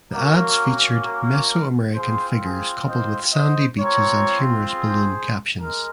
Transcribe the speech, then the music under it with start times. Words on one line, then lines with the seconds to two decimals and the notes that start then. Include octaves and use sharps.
The ads featured Mesoamerican figures coupled with sandy beaches and humorous balloon captions.
0.13 A#3 C#4 F#4 A#4
1.05 A#4
1.95 C4 F4 G#4 C5
2.42 G#4 C5
2.87 C5 D#5
3.33 C5 D#5
3.78 C4 F4 A#4 C#5
4.69 G#4 C5
5.61 G#3 A#4